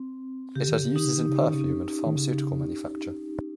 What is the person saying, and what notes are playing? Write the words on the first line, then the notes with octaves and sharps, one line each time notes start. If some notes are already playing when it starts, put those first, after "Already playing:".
It has uses in perfume and pharmaceutical manufacture.
Already playing: C4
C#3 G4
D#3
C#3
D#3 D#4
C#3
D#3
C#3
C#4
D#3
C#3
D#3
C#3